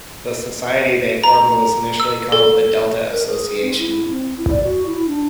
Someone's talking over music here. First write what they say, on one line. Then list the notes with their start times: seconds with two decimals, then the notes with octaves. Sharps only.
The society they formed was initially called "The Delta Association".
1.24 A#5
2.00 E6
2.32 A4
3.11 A#4
3.27 G#4
3.62 C4
3.79 E4
4.09 C4
4.37 E4
4.49 D5
4.63 F#4
4.85 E4
5.06 D4